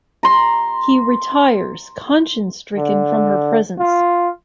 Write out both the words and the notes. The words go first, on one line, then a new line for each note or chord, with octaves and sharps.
He retires conscience-stricken from her presence.
A#5 C6
D3
F4